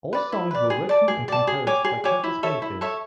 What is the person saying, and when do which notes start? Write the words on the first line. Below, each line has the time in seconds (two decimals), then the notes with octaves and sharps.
All songs were written and composed by Curtis Mayfield.
0.13 B4 D5
0.32 E4
0.51 B4 D5
0.70 G#4
0.89 D5 A5
1.08 G#4
1.28 D5 A5
1.47 G#4
1.67 C#5 G#5 D6
1.84 G#4
2.04 C#5 G#5 D6
2.24 E4
2.43 A4 C#5 E5
2.62 E4
2.81 A4 C#5 E5